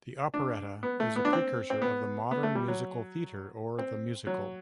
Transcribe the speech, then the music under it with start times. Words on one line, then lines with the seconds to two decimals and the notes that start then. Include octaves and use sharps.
The operetta is a precursor of the modern musical theatre or the "musical".
0.34 D4
0.83 B3
1.00 A3
1.16 B3
1.25 D4
1.33 C4
1.70 C4
1.82 B3
2.31 B3
2.43 A3
2.55 G3
2.68 F#3
3.79 C4
4.27 F#3